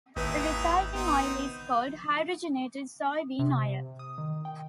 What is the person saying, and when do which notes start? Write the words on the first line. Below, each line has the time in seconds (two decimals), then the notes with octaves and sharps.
The resulting oil is called hydrogenated soybean oil.
0.16 G#1 D#2 D#4 E4 B4
0.95 B3 C4 D#4
3.39 C3
3.99 D#6
4.18 D#3
4.45 G5